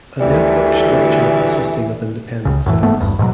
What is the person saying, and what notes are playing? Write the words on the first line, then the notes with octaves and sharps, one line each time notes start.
A network structure consisting of independent cells.
D2 E3 G3 A3
C#2 C#3
F#2 A2 E3
F#1 G#2 A3 B3
G#1 E2 G2
G#2 B2 E3 F#3